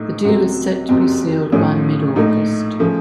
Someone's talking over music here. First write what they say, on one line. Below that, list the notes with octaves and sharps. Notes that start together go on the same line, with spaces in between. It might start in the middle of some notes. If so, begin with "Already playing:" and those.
The deal is set to be sealed by mid-August.
Already playing: A#1 A2 A3 D#4
C#2 C3 F#3 A3 C4
F#1 F2 C3 F#3 C4
A1 A2 F3 A3 C#4
A#1 A2 A3 D#4
C#3 F3 A3